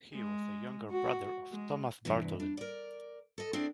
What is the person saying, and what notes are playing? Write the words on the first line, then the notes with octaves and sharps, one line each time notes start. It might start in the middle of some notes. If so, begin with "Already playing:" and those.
He was a younger brother of Thomas Bartholin.
G#3
F#4
G#3
E2 G2 C3 E3
D4
A#4 D5
A4 D#5
C4 D4 E4 G#4 D5